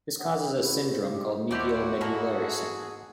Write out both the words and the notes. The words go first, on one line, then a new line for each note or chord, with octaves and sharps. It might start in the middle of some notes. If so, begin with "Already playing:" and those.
This causes a syndrome called medial medullary syndrome.
F#5 D#6
C#4 E4 G4 G#4
C5
G4
D#2 E4 F#4 G4 C5 D5
G#2 A#3 E4 G#4 A4